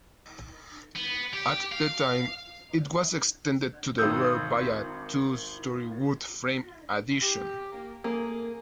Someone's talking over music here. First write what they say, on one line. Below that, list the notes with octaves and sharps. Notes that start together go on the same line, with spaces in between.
At that time, it was extended to the rear by a two-story wood-frame addition.
B3
G4
F5
G#1 D#3 D#6 E6 G6
G4
A#3
A3 A#3 G#4